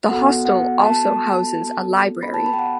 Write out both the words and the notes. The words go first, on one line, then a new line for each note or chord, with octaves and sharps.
The hostel also houses a library.
B3 F#4 A4 F#5
F#5
A5
B5
A5
B5
G5
F#5